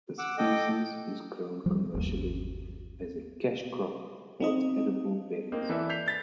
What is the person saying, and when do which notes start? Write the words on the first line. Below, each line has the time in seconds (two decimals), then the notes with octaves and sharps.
The species is grown commercially as a cash crop for its edible berries.
0.18 F#5 D6 E6
0.38 A4 D#5 G5 D6
1.66 F3 G3
1.94 G1 D#2
4.40 C4 D#4 D#5
5.52 A#3 C4 D#4
5.69 E3 A4 B4 D5 E5
5.89 G6 B6 C7 F7
6.06 G6 A6 B6